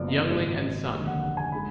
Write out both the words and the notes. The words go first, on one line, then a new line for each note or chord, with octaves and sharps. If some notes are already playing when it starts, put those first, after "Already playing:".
Yuengling and Son.
Already playing: F#1 F#2 F3 B3 D5
D#5
G#1 G#2 F#3
F1 D#2 D3 G#3 D#5
F#5
F#5
G#5
D#3 G#3 B5